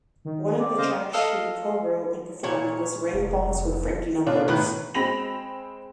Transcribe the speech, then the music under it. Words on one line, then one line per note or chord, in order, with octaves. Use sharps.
One of the tracks she co-wrote and performed was "Rainfalls" with Frankie Knuckles.
D#3
C4 D5
C#3 C5 D#5 F5
A4 D#5 F5
A#2 C#5
F1
B2 D4 F4 C#5 D5
A2 D#3 E3 B4 F#6
G#3 C4 B5 A#6 F7 F#7